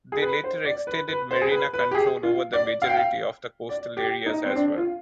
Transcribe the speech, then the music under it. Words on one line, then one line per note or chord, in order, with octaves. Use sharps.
They later extended Merina control over the majority of the coastal areas as well.
G#4
B4
C5
D5
B4
B4
C5
G#4
B4
B4
G4
G#4
F4
D5
F5
G5
F5
D5
G4
D#4
C4
D4
F4